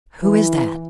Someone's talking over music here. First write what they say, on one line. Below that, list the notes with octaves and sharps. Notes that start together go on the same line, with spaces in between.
"Who is that?"
E3